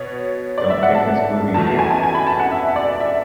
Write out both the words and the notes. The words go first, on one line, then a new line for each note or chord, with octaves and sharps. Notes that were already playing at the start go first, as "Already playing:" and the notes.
Don't take this gloomy view.
Already playing: B2 B3 C#5
D5
E5
F#5
A5
E2 B2 A3 A5
A5
G#5
G#5
G#5
B5
A5
F#5
E5
D5
E5